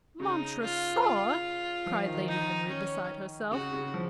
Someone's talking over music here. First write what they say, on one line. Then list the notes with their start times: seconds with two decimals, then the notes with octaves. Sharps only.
"Montresor!" cried Lady Henry, beside herself.
0.20 C#3 D#4
0.61 F4
1.02 F4
1.86 F3
2.06 D#3
2.28 D#3 D#4
2.69 C#4
3.51 C#3 F#4
3.73 C#3
3.94 F3